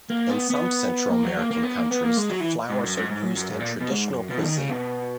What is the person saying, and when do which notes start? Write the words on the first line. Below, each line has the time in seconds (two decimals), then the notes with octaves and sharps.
In some Central American countries the flowers are used in traditional cuisine.
0.10 A#3
0.30 B3
0.50 B3
1.10 A#3
1.24 F#3
1.37 A#3
1.51 A#3
1.63 B3
1.77 A#3
1.91 B3
2.04 A#3
2.17 G#3
2.30 F#3
2.41 E3
2.70 G#2
2.84 F#2
2.97 G#2
3.10 G#2
3.23 F#2
3.36 F#2
3.51 G#2
3.60 A#2
3.81 B2
3.91 G#2
4.10 F#2
4.30 B2
4.38 E3
4.43 D#3
4.57 C#3
4.70 B2